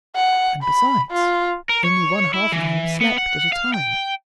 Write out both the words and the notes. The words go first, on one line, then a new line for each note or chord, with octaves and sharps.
And besides, only one half of him slept at a time.
F#5
B5
F4
A#4
C#5
E4
E3
B3
F#5
F5
G5